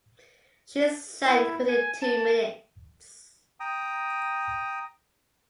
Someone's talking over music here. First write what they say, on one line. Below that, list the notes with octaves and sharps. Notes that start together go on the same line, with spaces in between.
She sank within two minutes.
E4
G#5
A5
G5 A#5 D#6